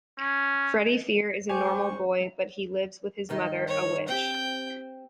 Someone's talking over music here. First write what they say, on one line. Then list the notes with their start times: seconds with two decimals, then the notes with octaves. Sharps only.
Freddie Fear is a normal boy, but he lives with his mother, a witch.
0.19 C#4
1.49 G#3 G4 C5 G#5 C#6
3.29 G2 D#3 D#4
3.68 C#5
4.08 C4 G4 G5